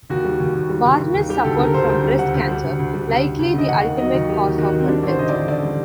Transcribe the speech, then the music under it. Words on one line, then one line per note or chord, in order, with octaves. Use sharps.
Barnes suffered from breast cancer, likely the ultimate cause of her death.
D#2 F#4
G3
D#2
D#2
G3
D#2
D#2
D#2
G3 G4
D2 A4
D3 A#4
D2 C5
D2
G3
D3 F#5
D2
G3
D2
D2
G3
D2
D2
D2
D3
D#5
D#2 F#5
D#3
F#3 D#5
D#2
D#3 G4
D#2
D#3 F#4
D#3
C4
G3 D4
A1 C5
D3 D#5
A1 D5
D3 D5
G3